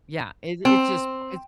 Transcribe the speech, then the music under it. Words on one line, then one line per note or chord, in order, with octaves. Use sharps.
Yeah. It it's just it's
C4